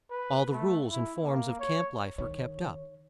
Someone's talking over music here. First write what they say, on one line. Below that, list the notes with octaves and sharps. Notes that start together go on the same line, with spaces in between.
All the rules and forms of camp-life were kept up.
B4
A3
E4
A#3
C#5
D#3 C#5